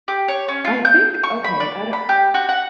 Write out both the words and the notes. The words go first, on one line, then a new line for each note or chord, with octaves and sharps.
I think okay, I don't
G4
C#5
C#4
F4
G6
C#6
B5
D5
B5
G4
F#4
F#5